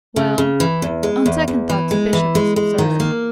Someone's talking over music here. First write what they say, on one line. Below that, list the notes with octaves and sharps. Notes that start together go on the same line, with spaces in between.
Well, on second thoughts, a bishop was absurd.
C#3
C#3
E3
E2
G#3
E2
E2
E3
G#3
E3
G#3
G#3
D#3
A#3